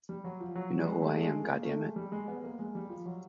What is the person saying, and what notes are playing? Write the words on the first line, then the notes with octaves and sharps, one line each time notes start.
You know who I am, God damn it!
G3
F#3
F3
F#3
F#3
G3
G#3
A3
G#3
A#3
A3
G#3
G3
G#3
B3
A#3
G#3
G3
F3
F#3